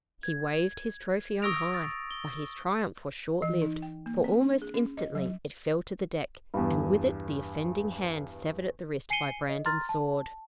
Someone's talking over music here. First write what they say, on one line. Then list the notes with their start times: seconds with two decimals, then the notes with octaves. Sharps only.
He waved his trophy on high, but his triumph was short-lived, for almost instantly it fell to the deck, and with it the offending hand severed at the wrist by Brandon's sword.
0.23 G#6
1.42 C#6 D#6 E6 A#6 D7 F7
1.74 A6
2.11 G7
3.42 E3
3.62 D#4
3.82 G5
4.06 A#3
4.24 C4
4.41 D4
4.62 G#4
4.74 C#4
4.97 D#5
5.15 F#3
6.54 E2 G2
9.10 G#5 C7 C#7 D#7 G7
9.49 D#5
9.66 A#5 C6 F6 A6
9.89 A5